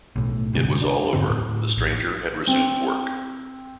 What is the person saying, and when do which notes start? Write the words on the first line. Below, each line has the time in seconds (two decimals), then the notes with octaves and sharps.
It was all over; the stranger had resumed work.
0.16 B1 A2
0.53 G1 D2 C3 G#3
0.82 D4
1.13 E1 G#2 D3 C4
1.26 D1 A2
1.76 A#1
2.47 C4